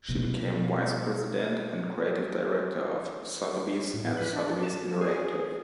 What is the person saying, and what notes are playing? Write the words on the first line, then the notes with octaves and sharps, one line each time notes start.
She became Vice President and Creative Director of Sotheby's and Sotheby's Interactive.
B2 G3
A2
B4
D4
A5
G#4